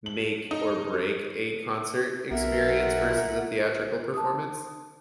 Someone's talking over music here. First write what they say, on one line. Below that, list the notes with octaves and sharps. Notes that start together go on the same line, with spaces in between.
make or break a concert experience versus a theatrical performance?
F#7
D#4
B1 A#4 E5 F#5
A5 D#6